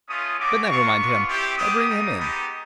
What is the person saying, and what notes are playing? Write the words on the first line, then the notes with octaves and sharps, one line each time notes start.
But never mind him, why bring him in?
A3 C#4 F4 D#6
A3 C#4 F#4 D6
A#3 D4 F4 C#6
B3 D4 F4
C4 E4 G4
B3 D4 G4 D#6
G3 A#3 D#4
G#3 B3 D#4 G4